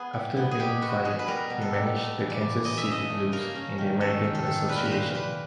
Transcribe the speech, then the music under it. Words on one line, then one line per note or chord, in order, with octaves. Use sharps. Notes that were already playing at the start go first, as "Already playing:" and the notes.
After being fired, he managed the Kansas City Blues in the American Association.
Already playing: B3 G#4
G3
B3
G#4
B2 G4
B3 F#4
B2 G#4
B4
G3 A#4
B2
A4
G3
A3
E3
D5
E3
E3 D#5
E5
C#3 D#5
A3
A#3 A#4
C#4
D#3
C#4 A4
D#3
A4
D#3
A#2 B4
A#4
B4
A#2 C5
A#2 B4